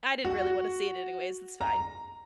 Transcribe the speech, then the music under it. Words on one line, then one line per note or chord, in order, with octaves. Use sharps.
I didn't really wanna see it anyways, it's fine."
F#4
A#5